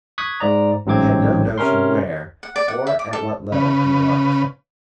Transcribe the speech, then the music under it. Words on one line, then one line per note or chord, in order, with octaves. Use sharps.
He had no notion where or at what level he was.
C#6 D#6 F#6 G#6 B6
G#2 D5 A#5
A1 G#2 F#3 C4 D6 G#6
C3 C#4 A#4 C6
F#5
D5
F#5
E5
D6
A4
C#3 B4